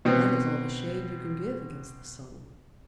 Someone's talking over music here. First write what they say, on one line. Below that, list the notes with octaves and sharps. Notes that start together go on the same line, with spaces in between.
"That is all the shade you can give against the sun."
B2 B3 C4